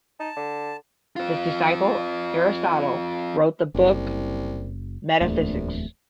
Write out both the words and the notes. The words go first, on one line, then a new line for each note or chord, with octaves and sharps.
His disciple Aristotle wrote the book Metaphysics.
D#4 A5
D3
C4 F4
F#1 C2
D1 A#1 E2 A3